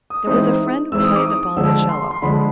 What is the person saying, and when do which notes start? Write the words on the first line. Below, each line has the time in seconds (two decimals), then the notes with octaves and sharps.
There was a friend who played upon the 'cello.
0.10 D#6
0.27 E3 G#3 C4 D#4 D#6
0.92 E3 G#3 C4 D#4 E6
1.04 D#6
1.15 D6
1.27 D#6
1.56 D3 F3 G#3 E6
1.89 C6
2.11 C6
2.22 D3 F3 G#3 B5